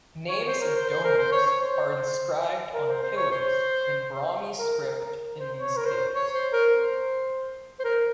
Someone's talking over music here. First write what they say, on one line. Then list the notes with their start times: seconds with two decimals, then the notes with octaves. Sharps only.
Names of donors are inscribed on pillars in Brahmi script in these caves.
0.28 C#5
0.47 C5
0.60 A#4
0.75 C5
0.89 C5
1.04 A#4
1.17 C5
1.32 C#5
1.46 C#5
1.60 C5
2.74 A#4
2.88 C5
3.02 C5
3.16 C#5
3.31 C5
4.58 A#4
4.73 A#4
4.87 A#4
5.01 A#4
5.38 C5
5.58 C#5
5.77 A#4
5.86 C5
6.15 C#5
6.33 C5
6.53 A#4
6.71 C5
7.79 C5
7.84 A#4